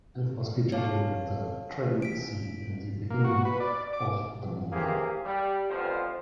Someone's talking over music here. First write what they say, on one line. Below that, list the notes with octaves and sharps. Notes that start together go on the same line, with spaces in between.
It was featured during the train scene in the beginning of the movie.
C#5 F5 A5 D6
B6 D7
A#3
F#4
B4
D5
D6
B1 E3 A#3 G4 G#4 C5
G3
A1 F2 D3 F3 B3 C5